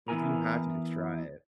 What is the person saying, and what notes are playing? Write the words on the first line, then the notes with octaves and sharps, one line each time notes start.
like, you have to to try it.
E3 B3 E4 A#4 G#5 A#5